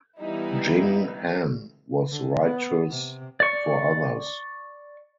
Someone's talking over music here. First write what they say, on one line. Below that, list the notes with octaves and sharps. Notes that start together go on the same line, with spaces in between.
Jing Han was righteous for others.
E3 G3 B3 D#4 E4
D3
B3
C3
D5 C#6